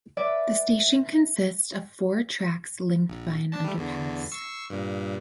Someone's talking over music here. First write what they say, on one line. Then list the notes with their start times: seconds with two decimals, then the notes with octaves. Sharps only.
The station consists of four tracks linked by an underpass.
0.17 B4 D5 E5
3.09 A#1
3.52 D4 A5
3.64 G3 A3
3.77 E2 D3
4.32 C#6 E6 C7
4.70 G2 A#2